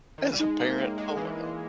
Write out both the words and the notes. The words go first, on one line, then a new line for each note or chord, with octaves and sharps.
As a parent, oh my god.
D#3
E3
G3
G#3 D#4
A#3
A#3 A#4 C#5 E5 G5
G#3
E3 D#4